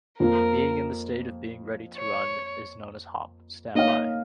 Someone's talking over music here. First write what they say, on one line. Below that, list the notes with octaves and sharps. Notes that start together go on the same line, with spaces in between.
Being in the state of being ready to run is known as hot standby.
F2 F3 A#3 A#4
C#5
A#3 D#4 C#5 D#5 F5